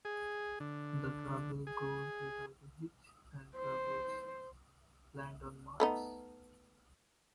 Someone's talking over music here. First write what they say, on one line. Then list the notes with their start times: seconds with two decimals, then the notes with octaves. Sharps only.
The travel goes without a hitch and travels land on Mars.
0.05 G#4
0.60 D3
1.67 G#4
3.56 C5
5.80 A3 B3 D#4